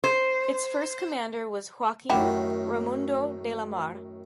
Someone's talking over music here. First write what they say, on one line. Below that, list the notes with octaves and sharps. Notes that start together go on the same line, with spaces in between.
Its first commander was Joaquim Raimundo de Lamare.
C5
F#2 A2 D#3 E4 F#4 G4